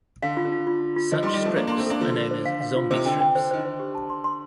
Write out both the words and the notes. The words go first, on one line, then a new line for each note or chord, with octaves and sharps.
Such strips are known as "zombie strips".
D3 F5
F4
D3
F4
F4
F4
F4
D3 F3 D#5
D#3 G3
C6
D#3 G3
F3 A3 A4
A#3 D4 A4
A#3 D4 C6
A3 C4
A#3 D4 A4
D3 F3 F4
F4
C5
F5
F5
F4
C3 D#3 C5
D3 G5
G5
D3 C5
D#3 C5
D3
C5
G4
A5
C6
C6